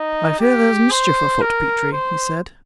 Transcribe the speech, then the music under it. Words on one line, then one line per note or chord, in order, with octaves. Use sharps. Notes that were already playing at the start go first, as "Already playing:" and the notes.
"I fear there's mischief afoot, Petrie," he said.
Already playing: D#4
G4
C5
A#4
C5